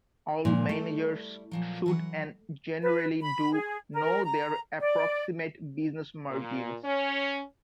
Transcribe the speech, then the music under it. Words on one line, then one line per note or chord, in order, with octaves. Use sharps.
All managers should, and generally do, know their approximate business margins.
A#2 F3 G#3
G3 A3 E4
A#2 F3 F#3
E3 F#3 F#5
B4
B5
G#4
A#4
A#5
D5
A#2
C#4